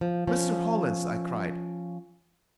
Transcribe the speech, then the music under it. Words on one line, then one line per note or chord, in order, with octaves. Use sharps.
"Mr. Hollins!" I cried.
F3
F3 C#4